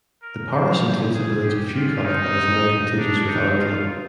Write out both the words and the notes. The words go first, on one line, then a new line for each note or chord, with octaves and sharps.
The parish includes the village of Fewcott that is now contiguous with Ardley.
A#4
C5
G#4
G4
F4
D#4
D4
D#4
F4